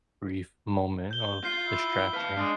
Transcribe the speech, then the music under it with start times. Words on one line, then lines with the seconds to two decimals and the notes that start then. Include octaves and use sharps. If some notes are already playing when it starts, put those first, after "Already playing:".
brief moment of distraction.
1.11 G6 G7
1.44 F4 G6 C7 G7
1.66 E4
2.14 B4 F5 A5
2.37 G#3 D4